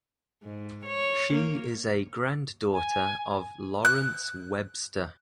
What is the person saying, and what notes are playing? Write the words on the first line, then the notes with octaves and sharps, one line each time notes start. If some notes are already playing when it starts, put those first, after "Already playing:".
She is a granddaughter of Lawrence Webster.
G#2
C#5
A#3
G#5
F#6